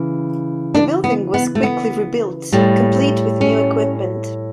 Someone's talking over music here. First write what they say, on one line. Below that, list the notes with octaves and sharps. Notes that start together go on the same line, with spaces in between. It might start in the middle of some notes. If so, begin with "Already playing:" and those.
The building was quickly rebuilt, complete with new equipment.
Already playing: C#3 E3
D4
B3
B3
A3
B3
A2 G3
C#4